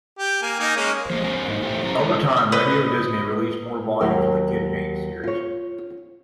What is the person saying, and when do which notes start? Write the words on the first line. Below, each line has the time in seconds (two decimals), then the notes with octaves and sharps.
Over time, Radio Disney released more volumes of the "Kid Jams" series.
0.19 G4
0.42 A#3 G#5
0.60 A#3 D#4 G#5
0.76 G#3 A#3 C#4
1.10 F3 G#3 A#3
1.24 C4 D4 F#4 A#4 G#5
1.47 G#2 A#3 D#4
1.62 E2 A2 A3 G4
1.83 F#3 C#4 E4 A4 A#5
1.99 G#3 D#4 E4 B4 D5
2.52 B4 D#5
4.00 D#2 F#3 A#4 G5
5.24 F4 C#5